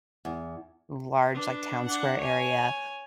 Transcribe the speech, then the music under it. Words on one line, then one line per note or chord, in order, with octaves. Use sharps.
large, like, town square area
E2
D4 B4
D4 F#5
C#5 G#5